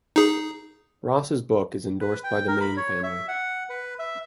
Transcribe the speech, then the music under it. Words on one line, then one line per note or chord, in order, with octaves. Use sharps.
Ross's book is endorsed by the Mayne family.
D#4 G#4
B4
G5
A#4
B5
C#5
E5
F#5
B4
E5